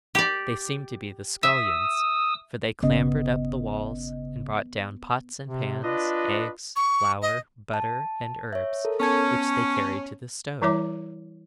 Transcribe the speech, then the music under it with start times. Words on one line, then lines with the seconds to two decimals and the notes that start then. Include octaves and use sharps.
They seemed to be the scullions, for they clambered up the walls and brought down pots and pans, eggs, flour, butter, and herbs, which they carried to the stove.
0.15 G4 D5
1.43 E5 D#6 E6
2.83 G1 C#3 B3 D#5
5.47 C3
5.84 D4 F4 B4 D#5
6.76 C#6
7.22 D#5
7.74 A5
8.53 C#5 E5
8.85 A4 A#4
9.00 B3 C#4 A5 G#6
10.62 E3 G3 E4 C#5 E5 D6